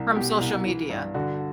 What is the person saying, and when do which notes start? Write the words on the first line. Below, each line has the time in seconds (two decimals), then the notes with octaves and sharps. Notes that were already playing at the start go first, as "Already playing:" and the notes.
From social media.
Already playing: C2
0.16 B2 G4
0.40 C2
0.66 E3
0.90 G2
1.14 D3 F#4